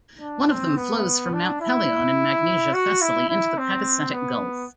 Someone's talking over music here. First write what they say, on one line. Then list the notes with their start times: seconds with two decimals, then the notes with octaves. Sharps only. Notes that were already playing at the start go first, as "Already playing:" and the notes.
One of them flows from Mount Pelion in Magnesia, Thessaly into the Pagasetic Gulf.
0.21 D4
0.49 C4
0.77 B3
1.33 D4
1.61 E4
2.73 F#4
3.02 E4
3.29 E4
3.58 C4
4.13 B3